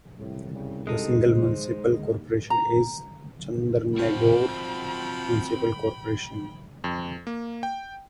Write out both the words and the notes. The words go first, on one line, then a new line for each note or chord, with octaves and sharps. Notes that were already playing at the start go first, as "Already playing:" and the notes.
The single municipal corporation is Chandernagore Municipal Corporation.
C2 A2
C#2 C#3 G3
G#3 D#4 G4 A4
C5
D#2
A#5
F3 C4 F#4 G5 B5
F2
A#3
G5